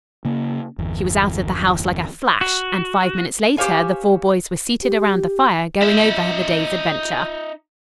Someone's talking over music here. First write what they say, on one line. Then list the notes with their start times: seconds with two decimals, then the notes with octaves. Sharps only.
She was out of the house like a flash, and five minutes later the four boys were seated around the fire going over the day's adventure.
0.25 C#3 A#3
0.79 G1 E2
2.41 F#4
3.57 G4 C5 C#5 F5 G#5
4.83 G4
5.82 D#4 E5